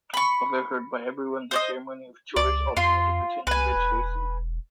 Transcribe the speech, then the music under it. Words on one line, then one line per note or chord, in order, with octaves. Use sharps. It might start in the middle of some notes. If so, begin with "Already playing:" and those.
Although heard by everyone, the ceremony of choirs alternated between the bridge facings.
B5 C#6
C5 D5 D#5
C#2 D5
F2 F4 C6
C2 B4 G#5
E1